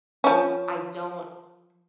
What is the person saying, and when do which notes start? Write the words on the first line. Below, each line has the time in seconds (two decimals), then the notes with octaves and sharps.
I don't
0.24 F3 C#4